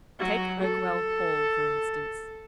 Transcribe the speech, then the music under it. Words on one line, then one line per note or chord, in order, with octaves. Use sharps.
Take Oakwell Hall, for instance.
F#3 F#4
A4